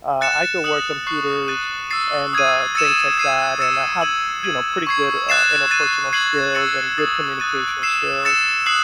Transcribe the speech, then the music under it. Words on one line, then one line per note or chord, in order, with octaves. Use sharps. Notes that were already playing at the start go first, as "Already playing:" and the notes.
Uh, I could work computers and, uh, things like that and I have, you know, pretty good, uh, interpersonal skills and good communication skills.
F#6 A6 C#7 E7
D#6 F#6 C#7 F#7
C#6 F#6 C7 F#7
F#6 A6 D#7
E6 A6 C7
D#6 G#6 D#7
E6 A6 C#7 E7
G#6 C7 D#7
E6 A6 C#7 E7
G#6 D#7 F#7
G#6 D#7 F#7
C#6 G#6 C7
F#6 A6 C7 E7
F#6 A6 D#7
G#6 C7 D#7 F#7
E6 A6 C#7 F#7
D#6 A6 C7
D#6 F#6 A6 D#7
E6 C7 E7
E6 A6 C#7 E7
D#6 F#6 C7 F#7